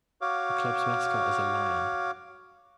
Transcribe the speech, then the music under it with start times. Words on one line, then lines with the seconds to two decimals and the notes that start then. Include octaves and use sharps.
The club's mascot is a lion.
0.21 F#4 C#5 F5 D6